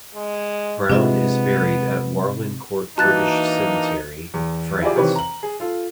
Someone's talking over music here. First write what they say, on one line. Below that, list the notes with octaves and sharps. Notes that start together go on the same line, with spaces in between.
Brown is buried at Warlencourt British Cemetery, France.
G#3
C3 G#3 B3 D4 F4 E5
E3 A#3 D4 D#4 F#4 A5 F#6 A6
E2
E4 F4 G4 G#4 D5
C3 D#3 E3 B4 C#5
A#5 F#7
G#4
F4 A4